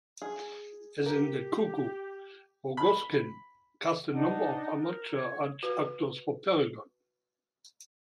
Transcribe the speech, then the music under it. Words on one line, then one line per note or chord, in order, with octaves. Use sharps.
As in "The Cuckoo", Rogozhkin cast a number of amateur actors for "Peregon".
G#4
G4 A#4
B5
D4 D#4 F#5
A#4
C#5
F#4 B4